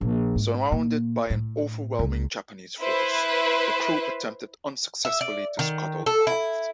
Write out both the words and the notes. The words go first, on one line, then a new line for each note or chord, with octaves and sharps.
Surrounded by an overwhelming Japanese force, the crew attempted unsuccessfully to scuttle the craft.
A#1
G#2
A#2
A2
C#2
E4 B4 C5
E5
D5
D#3
A4
E4